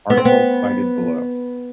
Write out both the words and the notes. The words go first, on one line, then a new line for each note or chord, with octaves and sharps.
Article cited below.
B3
C4
B3